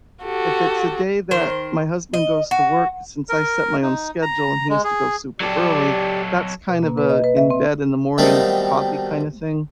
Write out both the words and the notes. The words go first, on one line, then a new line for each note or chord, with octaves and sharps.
if it's a day that my husband goes to work, since I set my own schedule and he has to go super early, that's kind of a in-bed, in-the-morning-with-the-coffee kinda thing,
F#4 G4 A4
D#3 A#4 C5
D#5
F#4
A#4
D#4
A#5
G#3
G#4
F#3 G4 A4 D5
B2
A#3
B4
D#5
B4
E5
C4
D#3 F#3 G3 A3 B3 C4